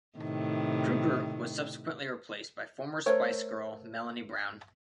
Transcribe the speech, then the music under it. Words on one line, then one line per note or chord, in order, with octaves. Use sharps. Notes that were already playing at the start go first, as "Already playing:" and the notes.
Kruger was subsequently replaced by former Spice Girl Melanie Brown.
A2 C3 D#3
A3 A#4 C5 C#5